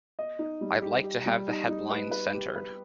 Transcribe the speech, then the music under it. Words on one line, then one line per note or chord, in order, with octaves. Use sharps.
I'd like to have the headline centred.
D#5
D#4
G3
G4
G4
G3
D#4
D#4
B4
B4
G4
B4